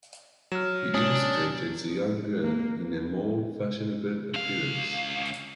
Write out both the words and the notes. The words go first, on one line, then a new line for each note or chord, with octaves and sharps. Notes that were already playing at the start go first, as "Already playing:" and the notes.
He illustrated the young girl in a more fashionable appearance.
F#3 F6 E7
C#4 D4 D#6
A#3
C#2 F5